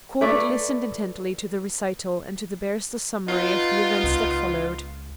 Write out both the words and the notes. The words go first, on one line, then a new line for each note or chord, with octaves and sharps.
Corbett listened intently to the recital and to the barrister's summary of the events that followed.
A3 E4 B4 D5
B3 D#4 F4
C#2